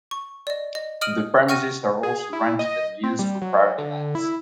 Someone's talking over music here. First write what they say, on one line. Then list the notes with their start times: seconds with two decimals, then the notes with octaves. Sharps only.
The premises are also rented and used for private events.
0.11 C#6
0.47 D5 D#5
0.75 D#5
1.01 D#5 D#6 F6 D7 D#7 F#7
1.48 F#5 G5 C#6 F6 A#6 D#7
2.03 G#4
2.33 E4
2.59 D#5
3.04 C4
3.19 G3
3.41 F#3
3.78 D3
4.15 E4